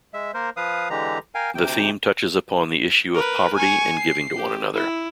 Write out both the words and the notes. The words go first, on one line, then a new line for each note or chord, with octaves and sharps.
The theme touches upon the issue of poverty and giving to one another.
G#3 E5
A#3 A#4 C5
F3 B4 F5 D#6
D3 E3 G#3 G4 A#5
A#4 F5 G5 G#5
D2 C3 G5
A#4 B4
G#5 C#6
C7
G4
E4